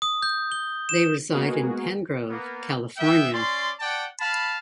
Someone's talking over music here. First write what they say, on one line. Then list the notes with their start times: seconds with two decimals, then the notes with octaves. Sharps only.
They reside in Penngrove, California.
0.02 D#6
0.22 G6
0.52 G7
0.89 E7
1.33 G#3 A#3 B3 F#4 G#4 A#4
2.30 A#3 B3
2.97 B3 E5 G5
3.33 C#4 D5 C6
3.79 D5 F#5 G5 A5
4.19 F5 A5 B5